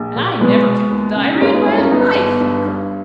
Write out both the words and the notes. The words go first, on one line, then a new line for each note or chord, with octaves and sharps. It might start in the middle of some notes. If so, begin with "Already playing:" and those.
"And I never kept a diary in my life!" he cried.
Already playing: A#1
A#2
B2 G#3 B3
B2
D#2
C#3
D#4
G#1 A#3 C#4
B3 D#4
G2 C#4 E4
A#3 C#4
G1 B3 D#4
G1
G2
G2